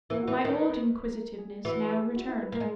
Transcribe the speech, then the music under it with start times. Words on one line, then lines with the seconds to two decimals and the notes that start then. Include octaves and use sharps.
My old inquisitiveness now returned.
0.10 E3 A#3
0.23 F#4
0.28 E3
0.36 A#4
0.44 D#3 B4
0.61 B4
1.13 A#4
1.38 G#4
1.65 E3 F#4
1.90 G#4
2.16 F#4
2.28 E4
2.42 B4
2.52 A#3 A#4
2.60 G#3